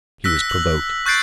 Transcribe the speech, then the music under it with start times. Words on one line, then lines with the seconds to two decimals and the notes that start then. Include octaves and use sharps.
He was provoked.
0.24 E6 F#6 A#6 B6
0.50 F#7
1.06 C#6 F#6 G6 A6 C7 D7